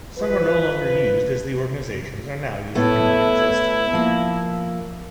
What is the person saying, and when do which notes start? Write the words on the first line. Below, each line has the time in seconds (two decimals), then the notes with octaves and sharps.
Some are no longer used as the organizations are now using commercial systems.
0.18 F3 B4
2.75 A2 B3 E4 A4
3.93 F3 A#3